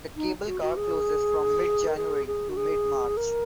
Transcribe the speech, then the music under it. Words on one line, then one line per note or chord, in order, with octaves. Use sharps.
The cablecar closes from mid January to mid March.
D#4
F#4
F#4
G#4
A#4
G#4
G#4
F#4
G#4
A#4